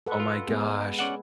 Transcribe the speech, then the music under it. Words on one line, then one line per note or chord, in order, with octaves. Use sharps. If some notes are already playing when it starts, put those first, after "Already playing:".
Oh my gosh,
A4 B4 F#5
F4
G#3 B3 G#4
C#4 D5 F#5